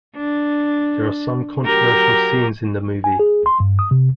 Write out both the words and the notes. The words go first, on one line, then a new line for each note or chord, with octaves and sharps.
There are some controversial scenes in the movie.
D4
F#3 G4 A#4
G#5
G#4
C6
G2
D#6
C3